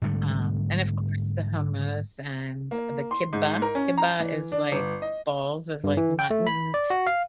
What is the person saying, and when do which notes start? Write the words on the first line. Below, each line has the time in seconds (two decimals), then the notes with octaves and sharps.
Um, and, of course, the hummus and the كِبّة. كِبّة is, like, balls of, like, mutton
0.02 G#2 D3 G3 A3
2.71 A#3
3.11 C6
3.33 G#2
3.62 A#4
3.75 C#4
3.98 A#5
4.20 E3
4.52 D4
4.72 G1
5.02 D#5
5.84 G2
5.97 E3
6.19 G5
6.30 A3
6.47 B5
6.74 D5
6.90 F#4
7.07 F5